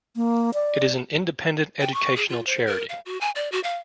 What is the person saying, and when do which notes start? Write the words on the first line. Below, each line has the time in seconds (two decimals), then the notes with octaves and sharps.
It is an independent educational charity.
0.16 A#3
0.54 D5
1.81 G5
1.94 C#6
2.16 G#4
2.29 F4
2.46 C5
2.67 A#4
2.89 F5
3.06 F#4
3.21 G#5
3.35 D5
3.52 F#4
3.64 F5